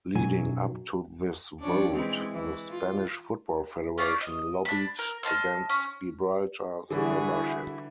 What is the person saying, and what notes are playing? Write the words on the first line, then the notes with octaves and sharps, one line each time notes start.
Leading up to this vote, the Spanish football federation lobbied against Gibraltar's membership.
B1 F#2 F#3 G#5
F3 C#4 D4
E3 G#3 C4
E3
F4
C#4 F4 C#5 D5
D#5
D4 B5
A#4
D#5 A5 C6 F6
C#4
D3 E3 G3 E4 F#4 G#4